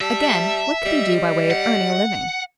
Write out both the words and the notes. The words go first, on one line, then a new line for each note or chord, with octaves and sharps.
Again, what could he do by way of earning a living?
G3 E5 A5
G3 D#5
F#5